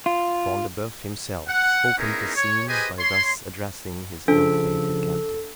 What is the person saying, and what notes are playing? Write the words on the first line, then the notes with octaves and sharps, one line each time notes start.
Front-de-Boeuf himself opened the scene by thus addressing his ill-fated captive.
F4
F#5
B3 C#4 D#4 E4 G#4 A#4
C#5
G4 G#4 B4 C5 D#5 G#5
C#5 C6
C#3 F3 D4 A4